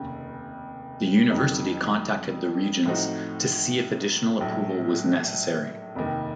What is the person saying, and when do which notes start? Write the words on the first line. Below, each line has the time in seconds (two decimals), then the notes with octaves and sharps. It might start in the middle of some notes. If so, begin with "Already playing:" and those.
The university contacted the Regents to see if additional approval was necessary.
Already playing: F1 D#2 C#3
1.30 F2 D#3 F#3
2.85 A2 F3 C4 D#4 F#4
4.40 A#1 A2 F#3
5.95 F1 D#2 D#3